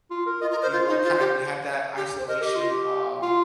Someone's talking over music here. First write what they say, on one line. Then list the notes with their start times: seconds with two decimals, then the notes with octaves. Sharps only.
we were kinda we had that isolation, um,
0.10 F4
0.26 A#4
0.41 F4 D#5
0.51 A#4
0.62 A#4 C5
0.72 F4 C5
0.88 D#4
1.03 F4
1.19 G4
1.97 G4
2.19 C5
2.28 A#4 D#5
2.41 G4 D#5
2.56 F4
2.69 G4
3.22 F4 F5